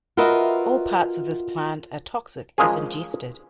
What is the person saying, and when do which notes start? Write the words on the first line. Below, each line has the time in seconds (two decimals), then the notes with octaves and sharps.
All parts of this plant are toxic if ingested.
0.17 F4 F#4 A#4 B4 D#5 E5
2.58 F3 G#3 A#3 C#4 G#4